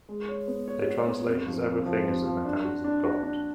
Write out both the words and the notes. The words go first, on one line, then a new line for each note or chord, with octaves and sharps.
They translate as Everything is in the hands of God.
G#3
C#5
B3
C#5
F#4
B3
F2
F3
F2
F3
F2
F3
D4
F#4
D4
F#4
D4